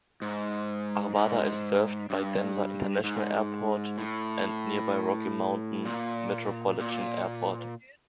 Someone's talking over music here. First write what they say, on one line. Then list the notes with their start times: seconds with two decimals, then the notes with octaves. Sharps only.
Arvada is served by Denver International Airport and nearby Rocky Mountain Metropolitan Airport.
0.22 G#2
1.16 G#2
2.10 G2
3.04 G#2
3.98 A2
5.85 A#2
6.80 A#2